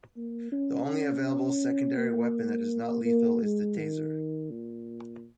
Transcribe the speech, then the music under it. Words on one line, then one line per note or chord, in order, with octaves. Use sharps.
The only available secondary weapon that is not lethal is the Taser.
A#3
C#4
A#3
A#3
G#3
D#3
A#2